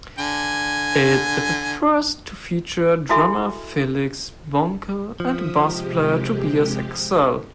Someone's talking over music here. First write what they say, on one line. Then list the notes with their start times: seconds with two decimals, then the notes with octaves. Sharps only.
It is the first to feature drummer Felix Bohnke and bass player Tobias Exxel.
0.19 D3 G#5
3.09 E4 F#4 A4 E5 G#5 B5
5.20 F3 E5 D#6
5.56 C3 G#3 G4